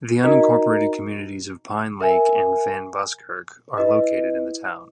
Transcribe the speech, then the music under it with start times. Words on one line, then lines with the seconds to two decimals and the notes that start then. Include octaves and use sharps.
The unincorporated communities of Pine Lake and Van Buskirk are located in the town.
0.23 D#4 F#4 A#4 D#5 A#5
2.01 A#4 E5 G#5
3.77 E4 B4 D#5